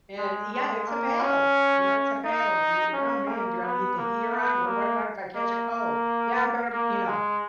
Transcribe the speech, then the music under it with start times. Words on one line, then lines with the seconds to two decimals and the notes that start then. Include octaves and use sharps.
and, yeah, it's a battle, you know, it's a battle. Do "Oh, man, do I need the heater on? Well, what about if I catch a cold? Yeah, I better" you know,
0.18 G#3
0.53 G#3
0.87 A#3
1.21 C#4
2.25 D#4
2.94 C#4
3.28 A#3
3.63 B3
3.97 A#3
4.31 B3
4.66 A#3
5.34 A#3
5.69 A#3
6.72 A#3
7.07 G#3